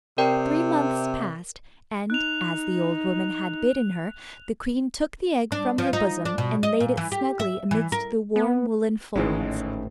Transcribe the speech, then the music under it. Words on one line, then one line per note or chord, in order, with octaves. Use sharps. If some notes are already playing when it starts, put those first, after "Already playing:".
Three months passed, and, as the old woman had bidden her, the queen took the egg from her bosom, and laid it snugly amidst the warm woollen folds.
C3 A#4 D5 G5
D#4 F#6 F7
D4
F3
D#4
D4
B2
D#5
A#2
E3
G4
E5
E3
A#4
B3
G#1 D2 A2 E3 G#3 C#4 D#4